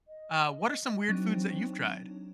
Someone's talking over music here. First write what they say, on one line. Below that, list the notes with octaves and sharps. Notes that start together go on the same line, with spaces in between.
Uh, what are some weird foods that you've tried?
D#5
F#3 C4 D4 D#4